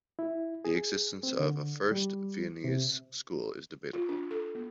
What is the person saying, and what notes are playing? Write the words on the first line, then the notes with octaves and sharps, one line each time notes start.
The existence of a "First Viennese School" is debatable.
E4
G#4
C4
D3
G3
C3
F4
D4
A4
B3